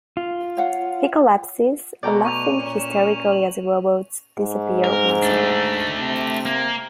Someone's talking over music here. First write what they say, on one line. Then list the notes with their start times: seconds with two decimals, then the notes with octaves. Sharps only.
He collapses, laughing hysterically as robots disappear once again.
0.17 F4
0.57 C#5 F5 F#5
2.03 B2 A3 D5 G5 A#5
2.25 C#6 D#7 F7
2.58 A#2 C#4
2.78 E7
3.32 F#7
4.39 G#2
4.84 A#4
5.22 A3 D4
5.97 C3
6.46 A#3